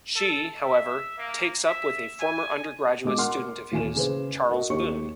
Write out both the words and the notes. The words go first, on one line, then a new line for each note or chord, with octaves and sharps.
She, however, takes up with a former undergraduate student of his, Charles Boon.
A4
E5
A#3
E5
G#5
B2 G#3 D#5 D6
A#4 F#5 C6 F6
D#1 E3 G#5 E7
C#3 G#4 B4 C5
F#4 A#4 D#5
D#2 G4 C#5 C#6 C#7